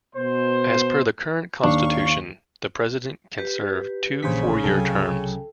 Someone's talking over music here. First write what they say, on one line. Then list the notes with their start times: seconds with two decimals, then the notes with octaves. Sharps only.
As per the current Constitution, the President can serve two four-year terms.
0.15 B2 C5
1.64 D#2 D#3 D4 F5 C#6
3.38 G4 B4
4.23 A#1 C#3 E3 A#3 D4 C5 B6
4.64 C2 C3 F#3 A4 G5